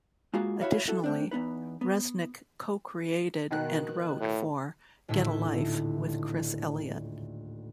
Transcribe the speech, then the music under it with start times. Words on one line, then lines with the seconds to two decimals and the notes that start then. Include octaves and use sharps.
Additionally, Resnick co-created and wrote for "Get A Life" with Chris Elliott.
0.33 G#3 A#3 F4 F#4 G#4
0.61 E4 F#4 B4 C#5 E5 F5
0.88 E4 F#4 A4
1.04 A3 C4 D4
1.31 E2 B3 D#4 B4
1.81 B3
3.51 B2 D#3 F#6
4.20 A2
5.08 D#1 D2 A2 D3 E5